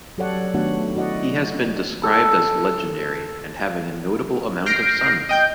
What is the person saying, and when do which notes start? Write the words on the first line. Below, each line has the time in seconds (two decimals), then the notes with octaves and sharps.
He has been described as legendary, and having a notable amount of sons.
0.18 F#3 G4 A4 C#5 D5 F#5
0.54 D#3 A3 B3 D4 F#4 F#5
0.95 E4 F#4 D5 D#5 F#5
2.03 A4
4.66 F6 G6 A#6 C7 D7
5.29 D#5 G5 G6